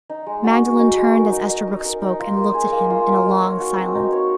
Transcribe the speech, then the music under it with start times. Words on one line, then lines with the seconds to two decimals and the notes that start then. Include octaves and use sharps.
Magdalen turned as Esterbrook spoke, and looked at him in a long silence.
0.10 D#4
0.26 G#3
0.44 F#4
0.62 G#3
0.79 D#4
0.97 G#3
1.14 A#4
1.32 D#4
1.49 D#5
1.67 D#4
1.85 A#4
2.02 D#4
2.19 F4
2.37 A#3
2.54 G#4
2.72 A#3
2.90 F4
3.08 A#3
3.26 D#4
3.43 C#5
3.60 F#4
3.78 C4
3.95 D#4
4.12 C#5